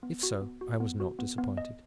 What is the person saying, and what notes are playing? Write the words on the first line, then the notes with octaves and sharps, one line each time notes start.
If so, I was not disappointed.
B3
F#4
B3
F#4
B3
F#4
B3
B3
D#5